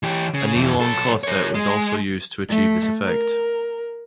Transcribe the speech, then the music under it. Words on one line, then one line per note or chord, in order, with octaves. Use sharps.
A knee-long corset was also used to achieve this effect.
E3 G4
C#3
F2 E3
B1 A4
A#4 C#5
G#3
A3
A#4